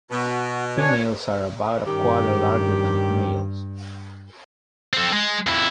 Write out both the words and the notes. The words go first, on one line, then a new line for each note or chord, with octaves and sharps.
Females are about a quarter larger than males.
B2 F#4
D4 C#5 G#5
G2 D#3 C#4 G4
C4 A4
G#3
F2 E4